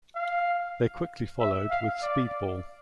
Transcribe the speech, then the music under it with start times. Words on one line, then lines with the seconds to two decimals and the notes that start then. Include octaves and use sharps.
They quickly followed with "Speedball".
0.15 F5
1.40 E5
1.71 F5
2.02 D5